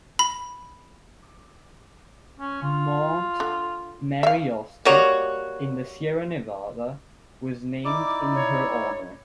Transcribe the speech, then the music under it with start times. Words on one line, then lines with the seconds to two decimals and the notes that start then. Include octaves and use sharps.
Mount Mary Austin, in the Sierra Nevada, was named in her honor.
0.19 B5
2.40 C#4
2.63 F4
3.40 D3
4.23 E5 F5
4.85 G3 A#3 F#4 C#5
7.85 D#4 E4 D5 D6
8.34 C#5